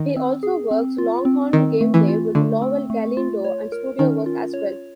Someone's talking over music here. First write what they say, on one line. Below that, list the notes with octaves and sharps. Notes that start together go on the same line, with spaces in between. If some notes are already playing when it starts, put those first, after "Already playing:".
He also works Longhorn Gameday with Lowell Galindo and studio work as well.
Already playing: D#3
C4
G#4
C4
F4
C4
D#3 C4
A3
E3
F4
D3 A3
C4
A3
F4
C#5
A#4
D#3 C#4
F4
C#5